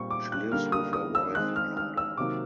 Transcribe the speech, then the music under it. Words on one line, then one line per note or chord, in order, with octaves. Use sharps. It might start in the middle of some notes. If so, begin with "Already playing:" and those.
She lives with her wife in London.
Already playing: A#2 G3 C4 C#6
D6
F#6
D3 G3 A#3 F6
D#6
D#6
E6
D#3 G#3 C4 F#6
F6
F6
E6
C3 D#3 F#3 A#3 D6